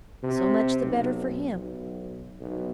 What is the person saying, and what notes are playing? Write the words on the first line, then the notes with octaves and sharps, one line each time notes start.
So much the better for him.
C3
B1
B1
B1